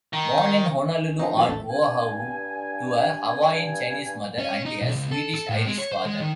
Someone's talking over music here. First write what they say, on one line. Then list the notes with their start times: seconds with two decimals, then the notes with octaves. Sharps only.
Born in Honolulu on Oahu to a Hawaiian-Chinese mother and a Swedish-Irish father.
0.13 D#3
1.04 G#5
1.19 D3 F3 C4 D#4
1.36 D#3 F3 F#3 B3 E4 G#4
1.48 A1 E2 A3 E5 A6
1.69 G2 G#5
4.39 C#4
4.66 D#4
4.82 B1
4.96 C#2
5.11 A4
5.34 A4
5.50 A2
5.66 G#3
5.78 C#5
5.92 C5
6.06 G#3
6.21 D#3